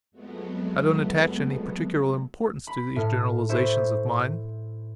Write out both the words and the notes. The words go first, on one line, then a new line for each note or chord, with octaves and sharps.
I don't attach any particular importance to these generalizations of mine.
F2 F#3 G#3 A3 B3
B5
A2 F6
E4 C5 C#6